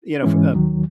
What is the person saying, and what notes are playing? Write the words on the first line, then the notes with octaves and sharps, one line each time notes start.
you know, f uh
G#2 E3 G#3 C#4
D#2 D#3 F#3